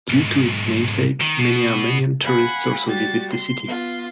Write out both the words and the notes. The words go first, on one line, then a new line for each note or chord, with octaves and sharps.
Due to its namesake, many Armenian tourists also visit the city.
B1 G#2
D#3
B2
F5 F#5 G#5 B5
G3 F#4 G4 A6
C6
B3 F4